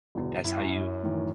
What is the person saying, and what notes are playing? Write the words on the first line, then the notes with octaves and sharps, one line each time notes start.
that's how you
G1 E2 B2
F#2 E4
A2 D#3 E3